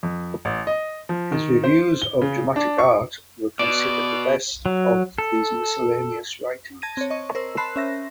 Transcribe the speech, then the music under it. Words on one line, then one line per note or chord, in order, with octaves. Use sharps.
His reviews of dramatic art were considered the best of these miscellaneous writings.
F2
A1
D#5
F3
D#3
C5
G7
C#3
D4
C#6
B2 D5 D7
F#3
A4
A5 G#6 A#6 D#7
C4 C#5
D#5 C#6
A#4 C5 E6
A5 B5 C6 F#6 C7 E7
C#4 E5 A#6